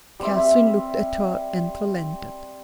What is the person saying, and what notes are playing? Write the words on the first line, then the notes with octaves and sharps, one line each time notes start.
Catherine looked at her and relented.
G3 C4 E5